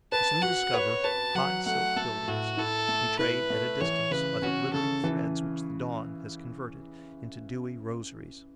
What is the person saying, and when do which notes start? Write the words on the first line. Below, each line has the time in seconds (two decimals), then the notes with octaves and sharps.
We soon discover high silk buildings, betrayed at a distance by the glittering threads which the dawn has converted into dewy rosaries.
0.12 B4 A5
0.42 F#4 F#5
0.73 B4 C#5
1.04 B4 A5
1.35 F#3 F#5
1.66 A3 F#5
1.96 A3 A4
2.27 A2 F#4
2.57 E4 A4
2.88 A3
3.19 E4 B4
3.50 A3
3.80 E3 C#5
4.11 C#3 B4
4.42 C#4 F#4
4.73 C#3 A4
5.04 E3